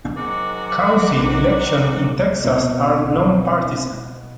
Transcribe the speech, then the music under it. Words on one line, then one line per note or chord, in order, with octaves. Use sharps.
Council elections in Texas are nonpartisan.
G#2 D#3 F#3 F#4 F#5 D6
B2 C4 E4 C#5